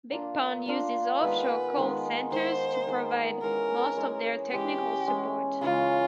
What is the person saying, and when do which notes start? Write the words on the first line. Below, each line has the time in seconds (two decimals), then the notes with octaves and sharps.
BigPond uses offshore call centres to provide most of their technical support.
0.11 A#3 D4 F4
0.66 A#3 D4 F4
1.21 D#3 G#3 B3 B4
1.76 D#3 G#3 B3
2.31 D#3 G#3 B3 C5
2.87 D#3 G#3 B3
3.41 E3 G#3 C#4 A#4
3.97 E3 G#3 C#4
4.51 E3 G#3 C#4 G4
5.07 E3 G#3 C#4
5.61 C#3 E3 G#3 C#4 F4